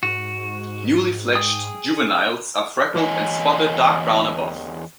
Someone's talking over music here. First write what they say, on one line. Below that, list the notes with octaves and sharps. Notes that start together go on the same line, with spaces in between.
Newly fledged juveniles are freckled and spotted dark brown above.
G#2 F#4
G#4 G5 D#6
E2 E3 C#5 D#5 G#5